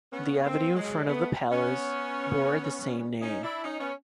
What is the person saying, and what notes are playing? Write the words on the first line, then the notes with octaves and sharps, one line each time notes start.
The avenue in front of the palace bore the same name.
B3 C#4
A#3 C4
F#3 G#3
A3 B3
B3 C#4
C#4 D#4
D4 E4
C#4 D#4
B3 C#4